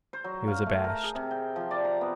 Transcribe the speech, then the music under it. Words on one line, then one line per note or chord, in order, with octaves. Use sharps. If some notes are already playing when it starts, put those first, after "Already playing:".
He was abashed.
C5
F#3
F5
A3
A#4
G#4
C3
G5
F3
D5
A#5
B3